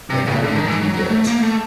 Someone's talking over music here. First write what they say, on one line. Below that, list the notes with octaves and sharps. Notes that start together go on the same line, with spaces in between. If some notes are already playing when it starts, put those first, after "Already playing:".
and how do you do that?
C3
C#3
D3
D#3
E3
F#3
F#3
A3
A#3
A3